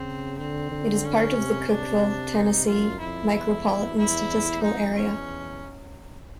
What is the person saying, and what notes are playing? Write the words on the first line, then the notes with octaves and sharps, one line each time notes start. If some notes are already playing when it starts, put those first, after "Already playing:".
It is part of the Cookeville, Tennessee Micropolitan Statistical Area.
Already playing: C#3 C4
D3 C4
D3
C#4
C3
C3 D4
D#4
F#2 F4
F2 E4
E2
E2 E4
F2 D#4
E2 C#4